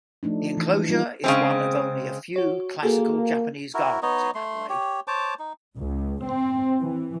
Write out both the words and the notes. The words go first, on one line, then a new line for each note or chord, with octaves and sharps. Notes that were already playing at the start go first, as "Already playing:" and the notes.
The enclosure is one of only a few classical Japanese gardens in Adelaide.
F3 A3 D4 D#4
E3
G3 D#4 F4
C#3 G#3 C4
F#4 C#5
A#3 F#4 G#4 A4
E4 F#4 A#4
B3 D#4 C#5 D#5
A3 C6
G4 C#5
C5 C#5 A5 D6
D#4
C#2
C4
E3